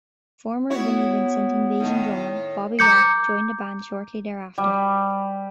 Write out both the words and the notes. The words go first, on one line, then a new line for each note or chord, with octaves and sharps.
Former Vinnie Vincent Invasion drummer Bobby Rock joined the band shortly thereafter.
B3 E4 F#4 C#5
A2 D#3
A#5 D6 G6 C#7
G3